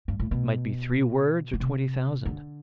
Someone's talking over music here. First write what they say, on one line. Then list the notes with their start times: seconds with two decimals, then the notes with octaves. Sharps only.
It might be three words or twenty thousand.
0.08 G2
0.20 A2
0.31 B2
1.53 D3
1.60 C3
2.25 D3